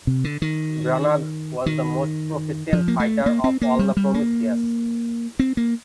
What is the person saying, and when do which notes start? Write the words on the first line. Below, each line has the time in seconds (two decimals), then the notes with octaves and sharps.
Brannagh was the most proficient fighter of all the Prometheas.
0.07 C3
0.24 D3
0.42 D#3
1.66 D#3
2.73 F3
2.88 A#3
3.00 A3
3.26 A#3
3.44 C4
3.61 A#3
3.79 G3
3.97 G3
4.14 A#3
5.39 C4
5.57 A#3